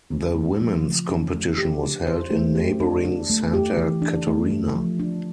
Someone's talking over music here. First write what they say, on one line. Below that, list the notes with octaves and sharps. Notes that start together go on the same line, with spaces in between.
The women's competition was held in neighboring Santa Caterina.
C#4
A3
F3
F3
C#4
A3
G4
D4
C5
A3
G4
D4
D4
A3
G4
E3
D4
A3
A3
F3
D4